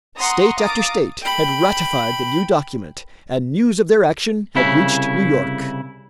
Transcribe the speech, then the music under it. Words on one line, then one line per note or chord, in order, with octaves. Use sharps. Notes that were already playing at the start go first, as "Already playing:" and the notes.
State after state had ratified the new document, and news of their action had reached New York.
F#5 A#5 C6 C#6 D#6
F5 A#5 D6 D#6 A6 D7
G5 B5
C2 C#3 E4